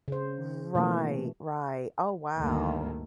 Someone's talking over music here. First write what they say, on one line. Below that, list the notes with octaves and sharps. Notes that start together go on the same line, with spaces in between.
Right, right oh, wow.
C#3 C5
B2 E3 A3 A#3 C#4
D2 G2 D#3 A3 A#3